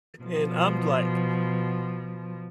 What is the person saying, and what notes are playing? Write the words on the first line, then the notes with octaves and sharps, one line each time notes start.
and I'm like,
B2 F3